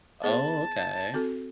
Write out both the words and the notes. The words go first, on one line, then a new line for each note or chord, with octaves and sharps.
Oh, okay.
B3 G#4 C5 A5
C4 F#4 A4